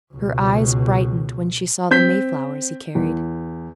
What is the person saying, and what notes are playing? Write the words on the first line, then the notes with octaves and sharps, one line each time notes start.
Her eyes brightened when she saw the mayflowers he carried.
C#2 B2
C4 G6 B6
E2